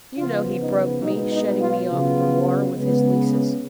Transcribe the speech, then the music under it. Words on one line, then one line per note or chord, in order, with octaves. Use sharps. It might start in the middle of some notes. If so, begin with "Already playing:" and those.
You know he broke me, shutting me off from water with his leases.
C#3 F3 B3 F4
D#4
B2 G#3 B3 D#4
D#4
F4
C#3 F#3 B3 F4
C#3 G#3 B3